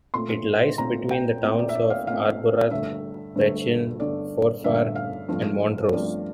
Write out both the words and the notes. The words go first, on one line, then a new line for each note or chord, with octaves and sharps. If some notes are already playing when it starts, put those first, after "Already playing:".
It lies between the towns of Arbroath, Brechin, Forfar and Montrose.
A#2 A3 C4 C6
A#2 A3 C4 A#5
G5
A#2 A3 C4
D5
E5
D5
F5
A#2 A3 C4 F5
G2 D3 A3 E5
G2 D3 A3
G2 D3 A3 D5
G2 D3 A3 E5
F5
G2 F3 A3 C4
G2 F3 A3 C4 D5